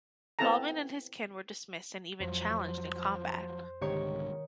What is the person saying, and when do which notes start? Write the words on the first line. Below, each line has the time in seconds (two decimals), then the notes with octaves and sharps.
Balban and his kin were dismissed and even challenged in combat.
0.39 B3 C4 E4 A4 A5 A#5
2.20 F2 F3 F#3 C5
3.81 C2 G#2 D3 D#3 G4 C#5 C#6